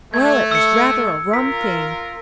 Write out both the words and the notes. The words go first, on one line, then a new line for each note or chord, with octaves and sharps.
'Well, it was rather a rum thing.
A3 G#6
E6 C#7
F4 A#4 B6